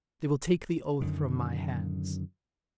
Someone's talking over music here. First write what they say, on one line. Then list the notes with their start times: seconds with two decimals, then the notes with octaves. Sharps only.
They will take the oath from my hands.
1.01 F#2 D3 D#3 F#3